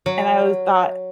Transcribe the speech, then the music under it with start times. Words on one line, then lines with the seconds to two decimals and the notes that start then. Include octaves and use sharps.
and I w thought
0.06 F#3